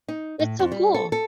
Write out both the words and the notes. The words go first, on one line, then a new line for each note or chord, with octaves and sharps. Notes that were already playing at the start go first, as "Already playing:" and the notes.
That's so cool.
D#4
A2
F2
G3
A4
A4